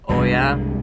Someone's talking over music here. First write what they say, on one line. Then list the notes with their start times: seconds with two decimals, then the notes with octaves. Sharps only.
Oh, yeah.
0.09 C2 G2 B2 G#3